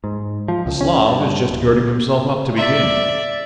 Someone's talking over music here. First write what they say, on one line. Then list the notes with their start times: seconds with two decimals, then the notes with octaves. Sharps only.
The Slav is just girding himself up to begin.
0.04 G#2
0.48 F3
0.66 C#2
0.81 C#4
1.07 G2
1.51 D1
2.56 D5 E5